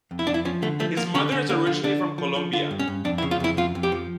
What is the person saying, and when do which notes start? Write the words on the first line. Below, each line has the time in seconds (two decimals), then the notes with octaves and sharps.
His mother is originally from Colombia.
0.11 F2
0.19 E4
0.27 F2 D4
0.34 E4
0.45 F3 C#4
0.62 D3 A3
0.80 F3 A3
0.97 F3 A#3
1.14 D3 C#4
1.31 D3 C#4
1.49 D3 A#3
1.67 D3 F4
1.83 D3 D4
2.02 D3
2.18 F3
2.36 F3
2.53 D3 F4
2.71 G2
2.79 C#4
2.88 G2
3.05 F2 D4
3.18 E4
3.22 C#3
3.31 F4
3.40 F2 E4
3.57 F2 F4
3.75 F2
3.83 G4
3.92 F3